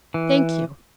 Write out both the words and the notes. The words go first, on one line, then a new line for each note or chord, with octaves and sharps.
"Thank you."
E3